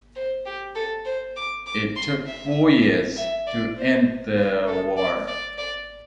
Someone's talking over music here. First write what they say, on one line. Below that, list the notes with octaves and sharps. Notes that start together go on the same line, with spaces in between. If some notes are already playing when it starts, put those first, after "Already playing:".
It took four years to end the war.
C5
G4
A4
C5
D6
D6
C6
E5
E5
D5
C5
C5
A4
D5
D5
D5